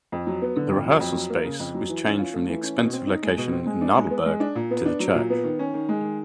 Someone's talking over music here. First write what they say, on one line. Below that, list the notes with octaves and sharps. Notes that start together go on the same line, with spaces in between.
The rehearsal space was changed from the expensive location in Nadelberg to the church.
F2
F#3
B3
D3
F2
F#3
F2
F#3
A#3
C#3
F2
F#3
E3
C#4
F4
A3
E3
C#4
B2
C4
D#4
G#3
B2
C4
G#3
D4
G#3
B3
G#3
D4
A#2
B3
D4
F#3
A#2
B3
D#3
C#4
D#3
G#3
D#3